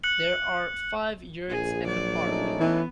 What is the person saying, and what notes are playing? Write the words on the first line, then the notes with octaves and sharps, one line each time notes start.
There are five yurts at the park.
F#6 C#7 F#7
A#1 G#4
F#3 D5
A3 C#4 D#4
E3 B3